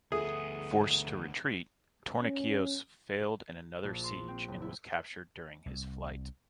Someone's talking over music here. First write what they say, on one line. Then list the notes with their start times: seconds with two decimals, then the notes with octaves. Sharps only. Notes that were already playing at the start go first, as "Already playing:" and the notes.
Forced to retreat, Tornikios failed in another siege and was captured during his flight.
0.12 D2 B3 G#4 A4 E5
2.21 C#4
3.84 A#1
4.04 C6
4.28 C4
4.48 F#1
4.62 E4
5.66 C2